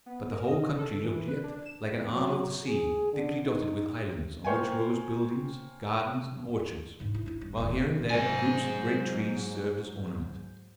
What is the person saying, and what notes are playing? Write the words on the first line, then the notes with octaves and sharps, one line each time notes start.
But the whole country looked yet like an arm of the sea thickly dotted with islands on which rose buildings, gardens, and orchards, while here and there groups of great trees served as ornament.
B3
A#4
D#5
A4
E3
B4
D4
E7
F#3
G#4
D3
D#4
A#3 C5 C#5 G5 G#5
G#2 D3
E4
D4 E4
G2
F1 D#2
G#2 F#3 C5 G#5